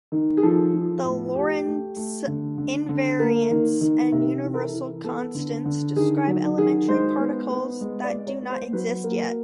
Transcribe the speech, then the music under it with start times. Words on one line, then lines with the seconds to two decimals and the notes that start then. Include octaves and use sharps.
The Lorentz invariance and universal constants describe elementary particles that do not exist yet.
0.12 D#3
0.37 G#4
0.43 F3 A4
0.73 F3
1.04 A2
1.35 A2 G4
1.66 A3
1.97 A3
2.27 D3
2.58 D3
2.89 D3
3.19 A#3
3.50 D#3
3.81 D#3
4.12 C3
4.43 E3
4.54 A#4
4.58 A4
4.73 E3
5.04 B3 A4
5.35 D3
5.65 D3
5.96 D#3 G#4
6.28 F#3
6.58 D#3 G#4
6.88 G#3 C5
7.19 B3
7.50 B3
7.81 G#3
8.04 D5
8.11 G#3
8.27 C#5
8.42 B3
8.50 C5
8.73 F#3 B4
9.04 A#3